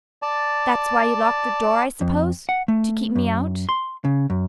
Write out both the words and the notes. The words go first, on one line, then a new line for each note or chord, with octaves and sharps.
"That's why you locked the door, I suppose--to keep me out."
D5 A5
F2
F#5
A3
F#2
C6
C#3
F#2